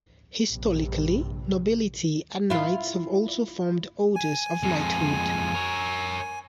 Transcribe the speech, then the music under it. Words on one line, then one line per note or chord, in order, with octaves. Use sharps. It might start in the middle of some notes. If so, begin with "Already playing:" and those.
Historically, nobility and knights have also formed Orders of Knighthood.
A#1 G2 C3
E4 F4
G#5
F2 G#3
A#4 C#5